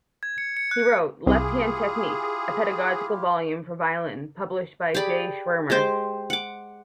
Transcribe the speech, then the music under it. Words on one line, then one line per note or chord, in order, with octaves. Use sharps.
He wrote "Left Hand Technique", a pedagogical volume for violin published by G. Schirmer.
G#6
C#7
C#7
F#6
C2 E4 F4 G4 G#4
G4 G#4 D5 B5
G#3 G4 C5 G5
F#5 D6